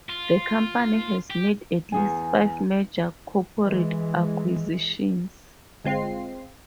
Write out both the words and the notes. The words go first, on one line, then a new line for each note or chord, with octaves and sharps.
The company has made at least five major corporate acquisitions.
F4
G4
E2 G#4 G#5
E3 G#3
G1 G#3 C4 F4 C7